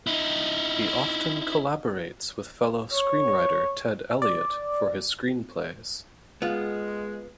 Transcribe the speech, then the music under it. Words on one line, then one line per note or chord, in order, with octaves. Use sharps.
He often collaborates with fellow screenwriter Ted Elliott for his screenplays.
D#4 E4
C#5
D5
G#3 B3 F4